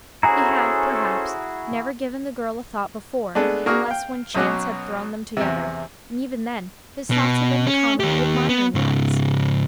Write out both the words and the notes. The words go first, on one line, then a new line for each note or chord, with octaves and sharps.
He had, perhaps, never given the girl a thought before, unless when chance had thrown them together, and even then his thoughts had been common admiring ones.
C#4 E4 F#4 G#4 A4 C5 G#5 A#5
G#3 A3 B3 D4
A#3 D4 F#4 G#4 D#6 F6
F5 G5
B1 B2 F#3 C#4 F#4 D6
E2 C3
B2
C#4
D#2 G4
B3
G#2 C#3